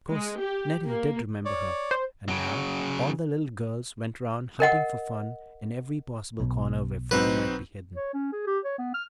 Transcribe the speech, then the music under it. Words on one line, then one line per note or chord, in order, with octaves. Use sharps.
Of course Nettie did remember her, and now all the little girls went around hunting for fun in every possible corner where fun might be hidden.
G#3
G4
A#3
C#5 D5
C5
C#3 F#3
A#4 D#5 F#5
B1 B2
F#3 C4 D#4 B4
C#5
C#4
G#4
G4
C#5
B3
F6